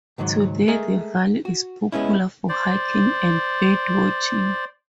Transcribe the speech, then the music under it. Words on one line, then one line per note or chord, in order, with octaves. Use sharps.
Today the valley is popular for hiking and birdwatching.
C#2 G#2 D#3 F#3
G#3 A3 G#4 A#4
F#4
G#3 B3 C#4 E4
C5 D5